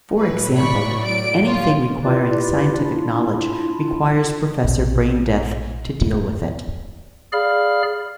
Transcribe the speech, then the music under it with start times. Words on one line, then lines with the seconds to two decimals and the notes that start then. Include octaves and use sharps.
For example, anything requiring scientific knowledge requires Professor Braindeath to deal with it.
0.18 A2 F#3 B4
0.56 D5 B5 C#6
1.01 D5 D7
1.43 D3 F4 G4 C#5
2.04 E4 F4 G4 B4 D5
2.78 D4 E4 F4
4.64 A#1 B2
7.33 G#4 D5 F5 B5 F6